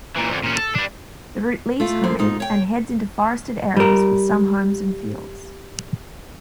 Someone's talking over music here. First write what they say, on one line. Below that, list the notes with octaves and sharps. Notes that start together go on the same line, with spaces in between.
The route leaves Hundred and heads into forested areas with some homes and fields.
A#2 E3
F2 D3
A#2 C#4
A4
G3 D4
A3 F4
F#2 F3 A#3 C5
G#2 D#4 F4
C#5 G5
G3 A#4